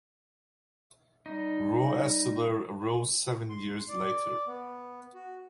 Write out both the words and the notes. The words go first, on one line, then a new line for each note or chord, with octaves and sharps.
Roeselare arose seven years later.
G3 D#4
C6
D5
B3
F#4